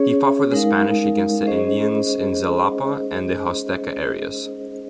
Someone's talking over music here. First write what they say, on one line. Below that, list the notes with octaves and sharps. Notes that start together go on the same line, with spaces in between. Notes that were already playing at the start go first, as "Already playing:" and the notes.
He fought for the Spanish against the Indians in Xalapa and the Huasteca areas.
Already playing: C#4 G#4 C#5
G#3 D#4 A#4 F5
C#4 G#4 C5 D#5